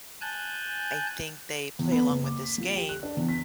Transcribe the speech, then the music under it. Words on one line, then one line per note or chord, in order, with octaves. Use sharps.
I think they play along with this game
G#5 A5 F#6 G6
E2
B3
F#1
D6
B6
F3
G4
F#6
D4
E2
B6